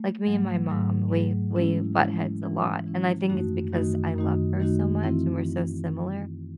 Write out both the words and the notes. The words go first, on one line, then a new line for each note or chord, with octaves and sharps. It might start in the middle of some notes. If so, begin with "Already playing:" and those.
like, me and my mom, we we butt heads a lot, and I think it's because I love her so much and we're so similar,
Already playing: A3
G#2 F#3 A3
G#2 F#3 A3
G#2 F#3 A3
E3 G#3 C#4 E4
E3 G#3 C#4 E4
E3 G#3 C#4 E4
E3 G#3 C#4 E4
F#2 D#3 A3 D#4 F#4
F#2 D#3 A3 D#4 F#4
F#2 D#3 A3 D#4 F#4
F#2 D#3 A3 D#4 F#4
E3 C4 E4